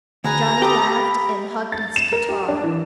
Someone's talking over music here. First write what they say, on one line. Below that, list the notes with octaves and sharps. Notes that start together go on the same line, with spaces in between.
Johnny laughed and hugged his guitar.
D2 G#4 B4 G#5 A#5
G4 A4 B4 D6 D#6
B5
A6
E7
A#4
G4
D4
E3